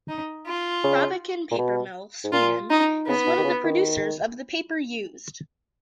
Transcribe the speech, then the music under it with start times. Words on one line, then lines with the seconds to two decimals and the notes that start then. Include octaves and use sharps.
Braviken Paper Mill, Sweden is one of the producers of the paper used.
0.09 D#4
0.47 F4
0.84 C#3
1.51 A#2
1.58 B2
2.24 G#2
2.33 A#2 F4
2.70 D#4
3.07 C#3 B3
3.27 B2
3.38 D#3
3.45 C#3
3.64 D#3